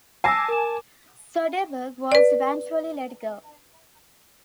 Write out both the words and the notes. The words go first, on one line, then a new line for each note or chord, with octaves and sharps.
Soderbergh was eventually let go.
G#5 A5 D6 E6 A#6 C7
A#4 E7
B4 D5